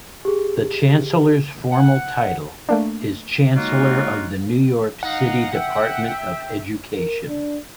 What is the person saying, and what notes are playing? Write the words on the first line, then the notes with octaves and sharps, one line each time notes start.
The Chancellor's formal title is Chancellor of the New York City Department of Education.
G4 G#4
F#5
A3 A#3 D4
F#3 G#3 A#3 D#4 F4 F#4
D#4 F5 F#5
E5 G5
A#4
D4